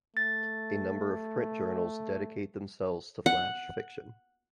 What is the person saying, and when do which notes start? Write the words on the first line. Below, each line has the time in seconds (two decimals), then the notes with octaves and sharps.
A number of print journals dedicate themselves to flash fiction.
0.17 A3 A6
3.26 F#5